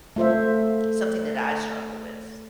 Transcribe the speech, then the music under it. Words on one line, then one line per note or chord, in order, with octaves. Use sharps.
something that I struggle with.
A3 F4 C5 E5